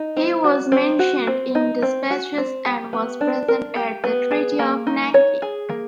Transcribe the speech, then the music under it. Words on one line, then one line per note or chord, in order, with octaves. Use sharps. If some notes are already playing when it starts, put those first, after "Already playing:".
He was mentioned in despatches and was present at the Treaty of Nanking.
Already playing: D#4
C4
F#4
C4
F#4
C4
D#4
C4
F#4
C4
G4
B3
D4
A#4
G4
B3
G#4
A#3
D#4
C#5
G#4
A#3